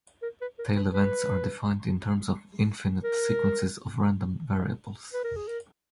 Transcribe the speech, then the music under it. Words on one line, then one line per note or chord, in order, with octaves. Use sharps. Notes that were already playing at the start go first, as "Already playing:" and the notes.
Tail events are defined in terms of infinite sequences of random variables.
A#4
B4
A#4
B4
B4
A#4
B4
A#4
G#4
A#4